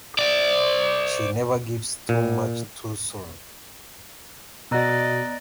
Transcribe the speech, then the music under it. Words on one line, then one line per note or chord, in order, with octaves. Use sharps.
She never gives too much too soon.
C5 D5
A#2
B2 B3 F#4 D5 D#5 A#5 F#6